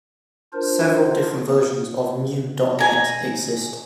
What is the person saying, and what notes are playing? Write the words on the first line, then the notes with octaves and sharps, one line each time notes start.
Several different versions of NewDotNet exist.
D4 F4 A#4 C5
G#5 A#5